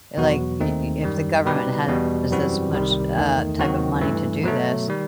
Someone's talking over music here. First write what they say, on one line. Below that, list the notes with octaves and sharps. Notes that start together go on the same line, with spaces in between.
like y y if the government has this much, uh, type of money to do this,
E2 B2 F#3 B3 F#4
D#2 D#3 A3 C4 D#4
F#2 D#3 G3
B2 G3 D#4 G4 B4
E2 B2 G3
F#2 E3 G3 C4 F#4
C2 C3 D#3 G3
E2 D#3 A3 D#4
D#2 D#3 F#3 C4 F#4
G2 E3 A3
B2 F#3 A3
D#3 G3